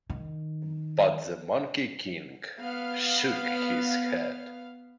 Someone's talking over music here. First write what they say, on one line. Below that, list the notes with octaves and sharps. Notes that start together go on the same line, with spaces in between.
But the Monkey King shook his head.
D#3
B3 F5